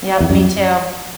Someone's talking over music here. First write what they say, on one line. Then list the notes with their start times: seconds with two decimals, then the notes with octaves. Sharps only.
Yep, me too.
0.20 E2
0.30 F#2